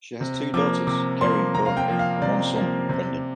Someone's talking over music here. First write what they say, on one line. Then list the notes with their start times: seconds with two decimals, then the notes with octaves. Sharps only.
She has two daughters, Kerry and Courtney, and one son, Brendan.
0.21 C3
0.54 F3 A#3 D6
0.87 C3 D6
1.21 F3 A#3 C6
1.54 C3 A#5
1.66 F5
1.77 G5
1.88 F3 A#3
1.99 F5
2.22 C3 D5
2.56 F3 A#3
2.89 C3